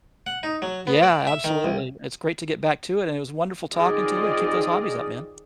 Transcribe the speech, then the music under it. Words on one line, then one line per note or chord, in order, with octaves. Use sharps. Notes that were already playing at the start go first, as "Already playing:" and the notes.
Yeah, absolutely. It's great to get back to it and it was wonderful talking to you and keep those hobbies up, man.
F#5
D#4
F#3
B3
D5
E5
D#3
C2
D#3 C4 F4 G#4 D5 D#5